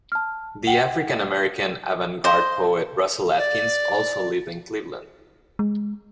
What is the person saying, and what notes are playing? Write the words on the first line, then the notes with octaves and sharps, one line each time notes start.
The African-American avant garde poet Russell Atkins also lived in Cleveland.
A5 F6
F#5 G5
C5 D#5
D5
G#3